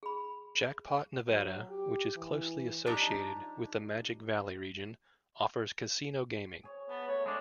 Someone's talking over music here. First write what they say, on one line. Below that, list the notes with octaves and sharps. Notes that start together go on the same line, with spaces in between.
Jackpot, Nevada, which is closely associated with the Magic Valley region, offers casino gaming.
G#4 B5
F#3
G4
E3
F3 D4 D#4 G4 A5 A#5
G#4 C#5
B3 A5
A3 B3 C#5
G#3 D4 C#5